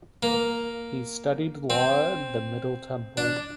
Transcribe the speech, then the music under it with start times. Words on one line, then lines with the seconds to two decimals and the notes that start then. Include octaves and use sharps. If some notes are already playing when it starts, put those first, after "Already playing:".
He studied law at the Middle Temple.
0.23 A#3
1.70 C4
3.17 D4